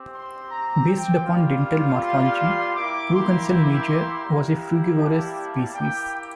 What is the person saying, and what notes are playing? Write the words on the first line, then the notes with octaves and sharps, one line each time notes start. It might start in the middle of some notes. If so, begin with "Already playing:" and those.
Based upon dental morphology, "Proconsul major" was a frugivorous species.
Already playing: C4 G4
C6
A#5
G5
G3 A#3 F4
C6
A#3 E4 G4 D6
C6
C6
G3 A#3 E4 G4 A#5
A5
A#3 E4 G4 G5